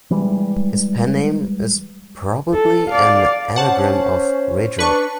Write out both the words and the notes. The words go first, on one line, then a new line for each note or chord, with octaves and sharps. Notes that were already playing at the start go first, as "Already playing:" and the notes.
His pen name is probably an anagram of Richard.
E3 G3 G#3
A4
D5 F5
C#4 C5 F#5 A5
D4 B4 C#6